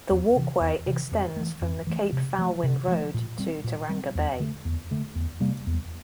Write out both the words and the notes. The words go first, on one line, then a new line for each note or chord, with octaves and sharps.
The walkway extends from the Cape Foulwind Road to Tauranga Bay.
E2
C3 E3
E2
C3 E3
F2
E3 A3
F2
E3 A3
C3
F3 A3
C3
F3 A3
A#2
G3 C4
A#2
G3 C4
E2
D3 A3
E2
D3 A3
E2
C3 G3 A#3
E2